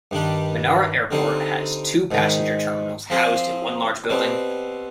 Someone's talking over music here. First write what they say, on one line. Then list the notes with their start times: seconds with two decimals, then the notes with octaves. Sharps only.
Menara Airport has two passenger terminals housed in one large building.
0.11 G2 D#3 G3 D4 G4
1.11 D3 G3 C4 D#4
2.11 G#2 D#3 G#3
3.10 F3 C4 F4 G#4 C5
4.10 B2 G3 C4